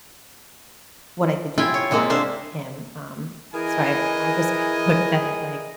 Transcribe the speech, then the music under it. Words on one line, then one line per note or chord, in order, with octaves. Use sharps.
what I could do for him, um, so I I just kind of looked at it like,
E4 F4 G5 G#5
C#5
C3 G#3 A#3 C4
D4 C5 E5 F5
E3 E4 G#4 A#4 D#5 G#5